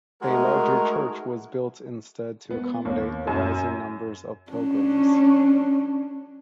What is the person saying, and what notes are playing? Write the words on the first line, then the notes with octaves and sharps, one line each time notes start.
A larger church was built instead to accommodate the rising numbers of pilgrims.
G#3 A3 D#4 F#4 G#4 A#4
B3
D#2
F#2
C#4 D4